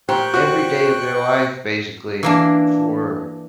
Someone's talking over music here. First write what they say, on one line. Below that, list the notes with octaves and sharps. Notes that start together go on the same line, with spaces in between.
every day of their life, basically, for
A#2 G4 C5 G5 C#6 F#6
F#4
E3 A#3 D4